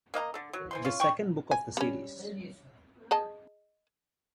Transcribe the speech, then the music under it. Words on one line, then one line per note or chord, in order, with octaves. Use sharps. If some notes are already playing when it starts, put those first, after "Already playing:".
The second book of the series.
A#3 D#5 F5 A#5
D3 A4
F#3
E3 C5 C6
C#4 F4
G5 C#6
G#5
G3 C#4
G#4 D#5 A5